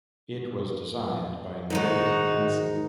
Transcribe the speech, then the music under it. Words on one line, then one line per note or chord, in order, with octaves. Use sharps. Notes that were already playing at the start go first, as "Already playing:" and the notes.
It was designed by Knud Hansen.
G#2 D#3 G#3 D#4 F#4